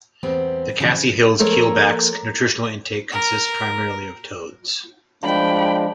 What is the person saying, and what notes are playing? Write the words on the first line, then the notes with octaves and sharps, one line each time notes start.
The Khasi Hills keelback's nutritional intake consists primarily of toads.
E2 G3 B3 C4
C#3 E3 F3 A#3 F4
F3 A#3 A4 A#4 C#5
A#4
F3 G#3 D4 G5 B5